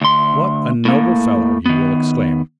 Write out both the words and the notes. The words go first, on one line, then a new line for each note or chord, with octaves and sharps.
"What a noble fellow!" you will exclaim.
D2 C6
A2 A#3
D#3 B3